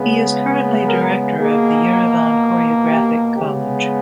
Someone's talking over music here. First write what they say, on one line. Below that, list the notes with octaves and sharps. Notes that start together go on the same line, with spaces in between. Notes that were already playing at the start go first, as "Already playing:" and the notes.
He is currently director of the Yerevan Choreographic College.
Already playing: C#3 G#3 B3
A#4
B2 A#3 G#4
G4
C#3 G#3 B3 G4